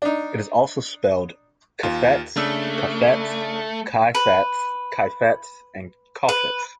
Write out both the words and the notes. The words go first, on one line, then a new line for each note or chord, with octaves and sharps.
It is also spelled Chafets, Chaffetz, Chaifetz, Cheifetz, Chofets.
D4 D#4
D#2 F4
C#3 A3 D4 E6
B4
B4